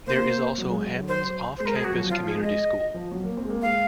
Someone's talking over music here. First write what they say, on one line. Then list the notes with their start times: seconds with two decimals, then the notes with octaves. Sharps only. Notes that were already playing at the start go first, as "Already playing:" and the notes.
There is also Hammons off-campus community school.
0.07 A#3 C5
0.58 F#3
0.70 G#3
0.82 F#3
1.08 C5
1.57 G#3 C5
1.66 A#4
1.76 G#4
1.85 F#3 F#4
1.92 F3
2.00 F#3
2.09 F3 F4
2.27 G#4
2.35 G#3
2.43 D#5
2.94 F3
3.11 F#3
3.24 A#3
3.37 C4
3.45 G#3
3.50 A#3
3.62 G#3 F5